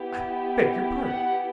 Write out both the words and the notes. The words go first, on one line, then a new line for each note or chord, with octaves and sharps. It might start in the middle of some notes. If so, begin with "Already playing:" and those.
I beg your pardon.
Already playing: B3 E4 G4
F#5